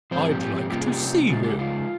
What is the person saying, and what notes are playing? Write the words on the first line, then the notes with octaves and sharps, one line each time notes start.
"I'd like to see him."
G#2 F3 C4 C5
G#4
G4
G4
G4
C3 G3 A#3 C#4 F4 G4
G#4
G4
C#3 G#3 D#4 F4
G4
F4